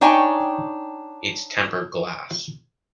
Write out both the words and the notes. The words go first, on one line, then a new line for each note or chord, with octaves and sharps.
It's tempered glass.
D4 D#4 C#5 G5 G#5